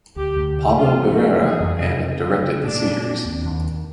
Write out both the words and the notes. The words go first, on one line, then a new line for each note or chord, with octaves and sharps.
Pablo Barrera and directed the series.
D2 G4
D2
C3
F3 F4
F3
F#4
A#3
E3 G#4
F2
C3
C#3
F#3
C#3
A#2 D4
A#2
C4
D#2
D#2
D#3